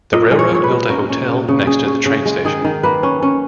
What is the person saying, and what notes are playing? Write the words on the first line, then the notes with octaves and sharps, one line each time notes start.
The railroad built a hotel next to the train station.
A#2 D#5
G#3
C#5
A#2 C#5
B4
G#3
C#4 A#4
C#4
C#3
C#3
C#3 G#4
C#4
C#3
G#3
D#3 G#4
D#3
A#3 B4
C#4
C#4